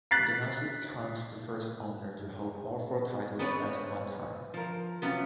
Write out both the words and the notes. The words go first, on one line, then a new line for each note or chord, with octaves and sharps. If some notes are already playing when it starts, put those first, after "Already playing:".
Ganassi becomes the first owner to hold all four titles at one time.
F#6 A6 B6 C7
B3 C4 D4 B4 C#5
F3 A#4
C3 F#3 B3 C#4 F4